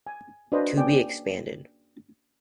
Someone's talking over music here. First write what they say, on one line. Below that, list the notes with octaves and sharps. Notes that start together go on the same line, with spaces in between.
"To be expanded".
G#5
D4 F4 F#4 B4 C5 D#5
A#3 C#4 G#4 D5 G5